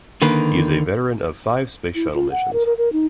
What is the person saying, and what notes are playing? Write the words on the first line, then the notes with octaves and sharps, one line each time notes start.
He is a veteran of five Space Shuttle missions.
D3 D#3 A#3 B4
E4
F4
F#5
A#4
A#4
A#4
D#4